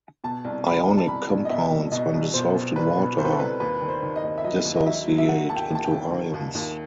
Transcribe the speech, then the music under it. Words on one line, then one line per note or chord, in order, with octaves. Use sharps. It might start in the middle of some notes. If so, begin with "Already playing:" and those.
Ionic compounds, when dissolved in water, dissociate into ions.
B2 A5
C2
C2 B5
C2
A5
C2 B5
C2
D#5
B2 E5
C2
B2 D#5
C2
B2 C5
B2
C2 B4
B2
C2 C5
B4
A4
C2 B4
D#2 B4
D#3
C5
D#3
D#5
D#2
E5
F#3 D#5
D#2
D#5
F#3 E5
F#3
E5
D#3 F#5
D#2 A5
G5
D#2 A5
G5
D#2
D#3
D#2
D#2